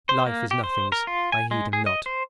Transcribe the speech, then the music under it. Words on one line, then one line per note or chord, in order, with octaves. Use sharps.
Life is nothings; I heed him not.
C5
A#3
G4
C5
A#4
F4
G#5
G#3
G#4
D#5
C5